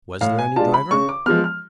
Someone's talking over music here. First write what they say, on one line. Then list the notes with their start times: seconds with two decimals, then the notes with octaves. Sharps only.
Was there any driver?
0.21 A2 F5
0.39 G#5
0.56 G#3 D4 F4 A5
0.74 B5
0.91 C#3 C#6
1.09 D6
1.26 F3 G#3 B3 F6
1.44 F6